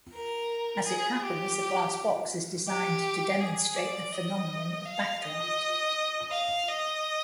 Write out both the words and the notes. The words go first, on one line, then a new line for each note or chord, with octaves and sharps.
As it happens, the glass box is designed to demonstrate the phenomenon of backdraft.
A#4
G#4
G4
G4
G#4
D5
D#5
F5
D#5
F5
D#5